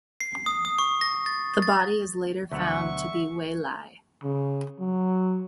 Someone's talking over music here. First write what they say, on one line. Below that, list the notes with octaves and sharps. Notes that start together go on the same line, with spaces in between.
The body is later found to be Wei Lai.
C7
D#6
D#6
C#6
A#6
A6
A6
D2 B2 F#3 E5 F#5 C#6
C#3
F#3